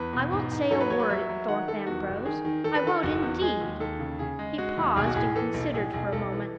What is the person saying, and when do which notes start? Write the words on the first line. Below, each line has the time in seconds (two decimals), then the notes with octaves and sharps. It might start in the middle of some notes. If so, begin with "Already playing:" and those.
"I won't say a word at Thorpe Ambrose, I won't indeed!" He paused, and considered for a moment.
Already playing: E2 B4
0.13 B2
0.32 G#2
0.52 G#2
0.71 F#3 A4
0.81 B4
0.90 F#3 C#5
1.00 B4
1.10 F#3 E5
1.29 F#3
1.48 D#3 F#5
1.68 D#3 A4
1.87 E2 F#4
2.07 F#1
2.25 D#3 G#4
2.45 D#3
2.64 D#3 A4
2.75 B4
2.83 D#3 A4
3.03 F#1 F#4
3.23 E2
3.41 G#3 G#4
3.61 D#2
3.80 D#2 A4
3.99 C#3
4.19 C#3 G#4
4.39 G#3
4.58 G#3 F#4
4.77 D#2
4.96 B1 G#4
5.06 F#4
5.15 A2 G#4
5.35 E3 A4
5.54 B1
5.73 A2 G#4
5.93 B1 G#4
6.12 B1 A4
6.32 E3